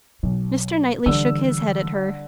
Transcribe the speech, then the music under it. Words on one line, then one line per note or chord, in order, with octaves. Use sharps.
Mr. Knightley shook his head at her.
B1 B2
D3 E3 G3 E6